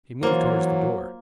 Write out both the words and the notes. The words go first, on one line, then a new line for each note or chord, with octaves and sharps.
He moved towards the door.
E3 F#3 A#3 F4 C5